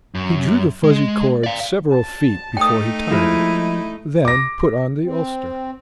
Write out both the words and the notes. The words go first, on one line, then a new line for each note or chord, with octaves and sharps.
He drew the fuzzy cord several feet before he tied it, then put on the ulster.
F#2
G#3
D5 F5
A5
A3 D#4 G5 D#6
F3 G#3 E4
D6 A#6
C4